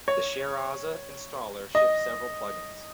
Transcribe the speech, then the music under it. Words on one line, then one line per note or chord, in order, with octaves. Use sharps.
The Shareaza installer ships several plugins.
C#5
D#5